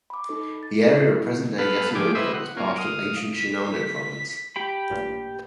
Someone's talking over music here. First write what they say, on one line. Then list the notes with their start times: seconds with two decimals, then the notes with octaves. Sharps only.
The area of present-day Yasuoka was part of ancient Shinano Province.
0.10 B5 D6
0.29 D#4 A4
0.63 A6
0.99 E4
1.58 B3 A4 B4 F5
1.95 A2 F3 G4 G#4 D6
2.15 G3 E4 B4 C5 D#5 E5
2.33 F#5
2.57 A#3 C#4 F4
2.78 F5 D#6
3.36 B6
4.56 G4 G5 B5
4.90 A1 G2 A#2